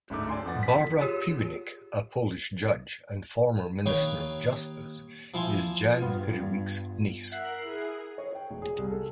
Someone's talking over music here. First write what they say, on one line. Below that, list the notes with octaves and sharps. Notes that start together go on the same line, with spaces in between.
Barbara Piwnik, a Polish judge and former minister of justice, is Jan Piwnik's niece.
D1 G#2 A3 D6
D5 G#5 C6
F2 B3 F#5 A6
B6
F4 G4 G#4 C#5
D#2 B4 C#5 F5 G5
F3 E4 F5 G#5 C6
G2 B3 F4
A#4 E5 F#5 F#6 C7
E4 G#4
C#5
G5
E1
G#4
C2
A4